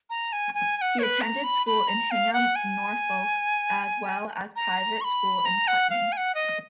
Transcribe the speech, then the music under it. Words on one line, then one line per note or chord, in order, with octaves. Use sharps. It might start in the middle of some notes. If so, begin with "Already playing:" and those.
He attended school in Hingham, Norfolk, as well as a private school in Putney.
A#5
G#5
G#5
G#5
F#5
C#5
B4
A#5
B5
B5
A#5
F5
F#5
G#5
A#5
C#6
B5
A#5
F#5
F5
G#5
F#5
D#5